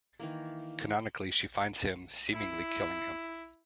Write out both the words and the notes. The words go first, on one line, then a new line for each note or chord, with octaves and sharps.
Canonically, she finds him, seemingly killing him.
D#3 E3 A#3
E4